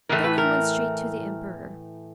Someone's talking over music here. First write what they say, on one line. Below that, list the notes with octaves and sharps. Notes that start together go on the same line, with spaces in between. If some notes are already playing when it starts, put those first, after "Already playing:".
Then he went straight to the emperor.
A2 E3 A3 A#4
B4
A#4